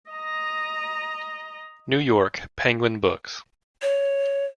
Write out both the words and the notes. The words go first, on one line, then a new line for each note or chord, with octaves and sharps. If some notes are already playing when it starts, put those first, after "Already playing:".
New York: Penguin Books.
D#5 A#5
C#5